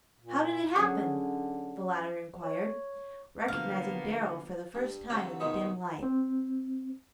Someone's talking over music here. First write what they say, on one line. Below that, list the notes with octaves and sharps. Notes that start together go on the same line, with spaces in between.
"How did it happen?" the latter inquired, recognizing Darrell for the first time in the dim light.
A#2
D3 F#3 C#4 G#4
C#5
B2 D3 F3 A#3 B3 F5
G2
D3 F#3 C4 G4 C5 F5
G#2 B2 D#3 F3 G#3
C4